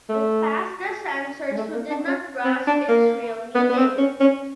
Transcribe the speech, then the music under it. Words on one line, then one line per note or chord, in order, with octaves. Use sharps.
It passed the censors who did not grasp its real meaning.
A3
G#3
A3
A#3
D4
C#4
C4
D4
A#3
B3
B3
C4
C#4
C#4